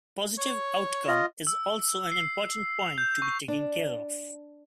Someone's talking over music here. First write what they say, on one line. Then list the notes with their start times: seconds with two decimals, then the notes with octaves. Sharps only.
Positive outcome is also an important point to be taking care of.
0.38 C#5
1.08 F4 D#5
1.47 E6
2.12 C7
2.79 F7
2.98 G6
3.22 C#6
3.48 D4